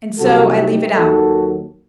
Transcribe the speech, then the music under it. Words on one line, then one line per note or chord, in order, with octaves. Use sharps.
And so I leave it out.
C2 C3 F#3 F#4 A4
D#4 G4
D#2 D#3 F#3 F#4 A4